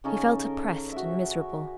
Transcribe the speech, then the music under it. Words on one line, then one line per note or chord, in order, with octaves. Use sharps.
He felt oppressed and miserable.
C#3 C#4 D#4 A4
A#4
F#4 E5